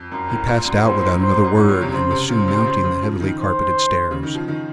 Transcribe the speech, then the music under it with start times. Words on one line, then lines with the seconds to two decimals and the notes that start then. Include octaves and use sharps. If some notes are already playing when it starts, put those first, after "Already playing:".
He passed out without another word, and was soon mounting the heavily-carpeted stairs.
Already playing: F2
0.11 F#2 A#4
0.29 A2
0.47 A#2
0.65 F#2
0.84 A2 C5
1.02 A2
1.20 C5
1.32 F#2
1.44 F#2
1.57 A2 C#5
1.69 A#2
1.81 C3
1.92 C#3 C5
2.11 C3
2.29 A#2 C5
2.48 C3
2.66 C#3
2.84 C#3
3.02 F3
3.20 D#3
3.39 C5
4.11 C#3
4.23 D#3
4.35 F3
4.48 D#3